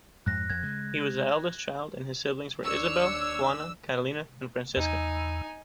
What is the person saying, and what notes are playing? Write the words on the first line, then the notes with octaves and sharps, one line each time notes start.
He was the eldest child and his siblings were Isabel, Juana, Catalina and Francisca.
F2 G#2 F#6 A#6
F2 G#6
C#3 G#3
D#2 D4 C#5 E6
E2 D#4 G#5